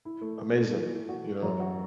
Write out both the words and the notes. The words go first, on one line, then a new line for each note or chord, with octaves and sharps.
amazing, you know?
E4
A3
A3
A3
E3
E3
F#4
E3
F#2
F#4